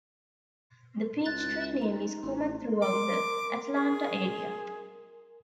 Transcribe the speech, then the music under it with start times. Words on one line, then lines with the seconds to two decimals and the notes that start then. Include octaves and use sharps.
The Peachtree name is common throughout the Atlanta area.
1.25 C#2 F#6 A6
1.82 D#4
2.22 A1
2.82 A#4 C6 D6
3.75 G#4